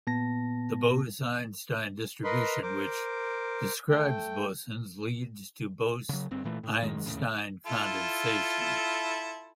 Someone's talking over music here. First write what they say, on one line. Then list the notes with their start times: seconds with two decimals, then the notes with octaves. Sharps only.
The Bose-Einstein distribution which describes bosons leads to Bose-Einstein condensation.
0.07 A#2 B3 A5 A#6
2.24 A#4 B4 D#5 B5 C6
2.62 A#4 C5 D6
3.90 A3 G5
6.09 C#3 F#3
6.31 G1 G2 C4
6.45 A#2 E3 A3
6.63 A2
6.82 F#2 D#3 G#3
7.05 D#1 E2 A2 C#3
7.66 E4 F4 A4